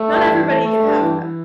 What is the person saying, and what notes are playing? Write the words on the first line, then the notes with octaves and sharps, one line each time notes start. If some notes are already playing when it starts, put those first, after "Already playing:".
not everybody can have that.
Already playing: A3
G2
E3
A3
A3
G2
E3
E3